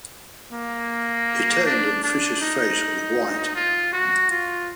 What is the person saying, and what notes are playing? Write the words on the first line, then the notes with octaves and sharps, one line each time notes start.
He turned, and Fisher’s face was white.
A#3
D4
D4
D#4
F4
F#4
F4